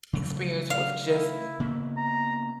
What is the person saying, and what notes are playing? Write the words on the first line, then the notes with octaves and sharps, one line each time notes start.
experience with just
C#3 F#3 A3
F5
E4
C#3 A#3 B3
A#5